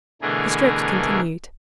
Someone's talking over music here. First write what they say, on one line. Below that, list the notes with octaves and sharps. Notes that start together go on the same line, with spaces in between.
The strokes continued.
B2 D3 E3 A3 G#4 A#4